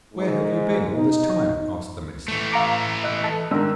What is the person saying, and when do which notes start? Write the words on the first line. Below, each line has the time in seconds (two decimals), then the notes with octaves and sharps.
'Where have you been all this time?' asked the minister.
0.14 G#2
0.93 D#4
2.28 E3 A3
2.51 F5 A#5 D6
3.03 D#5 F#6
3.24 A4
3.51 G#2 D#3 D4 A#4 E6